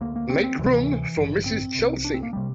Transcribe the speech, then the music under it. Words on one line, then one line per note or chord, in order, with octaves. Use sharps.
Make room for Mrs. Chelsea.
D2 D3 A#3
A#3
C4
C4
D2 C3 E3
E3
A1 G2 D3
C4
C2 C3
D4
C4
A#3
C3 G3